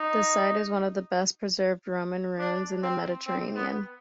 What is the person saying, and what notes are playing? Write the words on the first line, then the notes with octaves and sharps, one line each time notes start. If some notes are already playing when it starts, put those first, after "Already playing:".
The site is one of best preserved Roman ruins in the Mediterranean.
Already playing: D#4
D4
C4
C4
B3